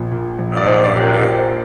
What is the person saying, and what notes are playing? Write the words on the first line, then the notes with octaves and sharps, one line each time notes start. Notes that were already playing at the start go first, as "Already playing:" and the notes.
Oh, yeah.
Already playing: A#1 A#2
A#2
A#1
D5
A#1 C5
D5
A#2 G4
A#4
G4
A#2 A#4
C5